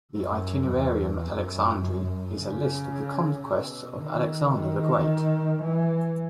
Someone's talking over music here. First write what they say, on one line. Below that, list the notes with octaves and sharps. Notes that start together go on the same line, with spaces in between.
The "Itinerarium Alexandri" is a list of the conquests of Alexander the Great.
F#2
E2
F#2
C#3
B2
D#3
D#3
E3